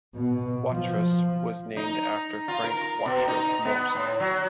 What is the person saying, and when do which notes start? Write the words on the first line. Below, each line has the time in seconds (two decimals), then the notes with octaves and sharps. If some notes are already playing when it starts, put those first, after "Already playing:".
Watrous was named after Frank Watrous Morse.
0.14 B2
0.71 F3
1.77 D#4
2.48 F4
2.64 A#4
3.06 B2
3.27 D#4
3.65 B3
3.95 A2
4.20 F#3